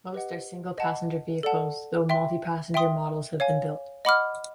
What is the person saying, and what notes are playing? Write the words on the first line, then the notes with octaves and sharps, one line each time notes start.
Most are single-passenger vehicles, though multi-passenger models have been built.
G4 B4 D#5 F#5
D#5 F#5 A5
A4 D5 F#5 A5
E5 G5 C6
E5 G5 C6 D#6
C#5 F5 G#5
D#5 F#5 B5 D6 F6